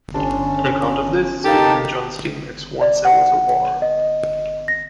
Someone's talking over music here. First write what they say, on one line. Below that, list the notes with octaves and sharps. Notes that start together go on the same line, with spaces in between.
An account of this is given in John Steinbeck's Once There Was a War.
G1 C#4 D4 A5
D#4 G4 A4 A#4 F5 A5
D5
F#5
D#5
A#6